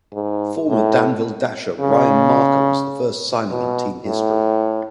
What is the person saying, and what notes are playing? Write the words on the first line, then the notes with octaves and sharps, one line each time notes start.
Former Danville Dasher Ryan Marker was the first signing in team history.
G#2
A2
C#3
B2
A2